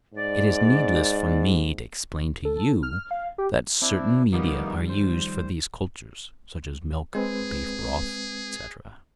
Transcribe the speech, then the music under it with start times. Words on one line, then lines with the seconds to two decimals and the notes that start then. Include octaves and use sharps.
It is needless for me to explain to you that certain media are used for these cultures, such as milk, beef-broth, etc.
0.14 G#2 D5
2.45 A4
2.83 F6
3.11 F5
3.38 G4
3.82 C4 D4 E4
4.33 D#3 F3 G3 A#3 B3 D#4
4.89 C5
7.15 G#3 C4 G#4 B4